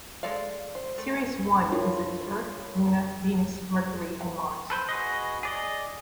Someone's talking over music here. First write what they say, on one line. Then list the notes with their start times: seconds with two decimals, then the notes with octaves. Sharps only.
Series one visits Earth, Luna, Venus, Mercury and Mars.
0.23 G#3 A4 D5 F5
0.75 C5
0.98 A3
1.72 D4 F4 A#4 C#5 B5 C6
4.70 A4 B4 C5
4.89 F#4 G#4 B4 D#5
5.43 G#4 D5 D#5